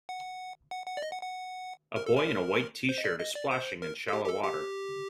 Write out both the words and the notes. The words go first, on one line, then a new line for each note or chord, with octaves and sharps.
A boy in a white tshirt is splashing in shallow water.
F#5
F#5
F#5
D5
D#5
F#5
F#5
A#4
A4
A#4
C5
D#5
D5
D#5
D5
C5
A#4
A4
G4
G4
A4
G4